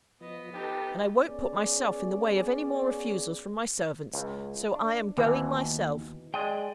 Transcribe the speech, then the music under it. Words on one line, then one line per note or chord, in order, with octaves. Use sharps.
And I won't put myself in the way of any more refusals from my servants, so I am going myself.'
F3 B3 D#5
D#4 G4 A4 B4 A5
B3 C#4 G#4 D5
C#2
D4
D#2 B2 E3
G#3 D5 D#5 G5